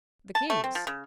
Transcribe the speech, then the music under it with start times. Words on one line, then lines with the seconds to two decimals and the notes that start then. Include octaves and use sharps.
The king's.
0.35 A5
0.50 A3
0.64 C4
0.75 F3
0.87 C#3